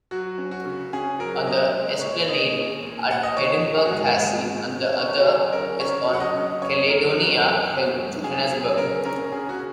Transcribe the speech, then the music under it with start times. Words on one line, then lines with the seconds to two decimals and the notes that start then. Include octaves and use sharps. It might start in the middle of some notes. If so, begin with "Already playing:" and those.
On the esplanade at Edinburgh Castle and the other is on Caledonia Hill, Johannesburg.
0.11 F#3 F#4
0.38 C#4
0.51 F#4
0.65 C#3
0.93 C#4 G#4
1.19 F#3 A#4
1.47 C#3 D#5
1.74 G#3 D#5
2.01 A#2 C#5
2.28 A#2 D#5
2.55 C#4
2.83 A#2
3.09 A#2 F#5
3.23 D#5
3.37 D#3 C#5
3.64 D#3
3.77 G#4
3.86 F#4
3.91 G#2 G#4
4.18 A#3
4.45 D#3
4.71 C#4
4.99 C#3 C#5
5.18 F#4
5.26 F#3 G#4
5.53 C#4 A#4
5.80 C#3 C#5
6.07 F#3
6.14 F#5
6.20 D#5
6.35 C#3
6.61 F#2 C#5
6.88 F#3 A#4
7.16 F#2 F#4
7.35 A#4
7.43 F#2 G#4
7.71 F#2
7.97 F#3
8.24 C#3 G#4
8.51 F#3 G#4
8.78 C#3 A#4
9.05 C#4 A#4
9.32 C#3 G#4
9.49 F#4